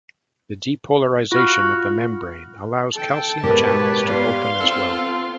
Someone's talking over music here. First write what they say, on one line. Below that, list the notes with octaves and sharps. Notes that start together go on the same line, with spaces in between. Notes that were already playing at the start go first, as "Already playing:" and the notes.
The depolarization of the membrane allows calcium channels to open as well.
F4 F#4 F6
A4 G5 A5
G#2 B2 G4 A#4 B4 C#5
G3 B3 F5 C6
C4 F4 A4